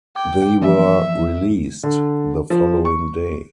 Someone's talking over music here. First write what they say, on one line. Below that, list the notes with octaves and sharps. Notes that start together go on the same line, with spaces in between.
They were released the following day.
G5 D6
E3 F3 E5
D3
F3
C#6